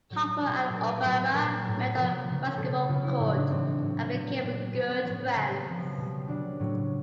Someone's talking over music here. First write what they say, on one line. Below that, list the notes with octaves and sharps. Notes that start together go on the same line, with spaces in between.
Harper and Obama met on the basketball court and became good friends.
A2 F#3
B2 G3
A#2 F#3 A#4
B4
A#4
A2 F#3
A#2 F#3 A#4
A2 F#3
C3 F3 A#4
C#3 F3
B2 G3 A4
C#3 F#3 F4
E4
A2 F3 D#4
D4
A2 E3 G3 C4
A2 F#3
A#2 F#3
A#2 G3
B2 G3 B3
C4
A2 F3 C#4
B3
C#3 F#3 C4
B3
C#3 F3 C4
B2 G3
C#3 F#3 D4
A2 F#3